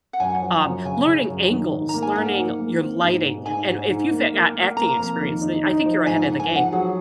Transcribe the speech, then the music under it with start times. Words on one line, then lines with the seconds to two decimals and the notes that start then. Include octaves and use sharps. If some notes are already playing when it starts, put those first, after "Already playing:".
um, learning angles, learning your lighting, and if you fit got acting experience, then I think you're ahead of the game.
0.13 F#5
0.20 F#2 G#5
0.42 F3
0.64 F#2
0.85 C#3 G#5
1.07 C#3
1.29 F#2
1.51 D#3
1.72 G#2
1.89 A#3 A#5
2.02 G#5
2.16 G#2 F#5
2.38 A#3
2.59 A#3
2.81 C4
3.03 G#2
3.24 G#2
3.46 G#2 G#5
3.68 G#2
3.90 G#2
4.11 A#3
4.33 A#3
4.55 A#3
4.77 A#3 A#5
4.99 F2
5.20 D#3
5.41 D#4
5.63 D#4
5.86 F3
6.07 G#2 G#5
6.23 F#5
6.29 G#2
6.40 G#5
6.50 F3
6.56 F#5
6.72 F#3 G#4